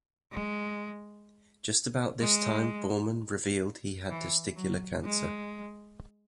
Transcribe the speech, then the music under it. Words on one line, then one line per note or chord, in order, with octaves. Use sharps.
Just about this time Boorman revealed he had testicular cancer.
G#3
G#3
E3
F#3
G#3